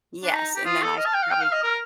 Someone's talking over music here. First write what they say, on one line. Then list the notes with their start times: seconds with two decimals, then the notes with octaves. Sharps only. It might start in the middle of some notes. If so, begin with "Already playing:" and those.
Yes, and then I should probably
0.23 D4
0.33 D#4 A#5
0.55 G4
0.65 F4 D#6
0.82 A4
0.97 D#5 F6
1.06 A5
1.14 G5
1.22 F5
1.30 G5 F6
1.41 F5
1.52 D#5
1.63 A#4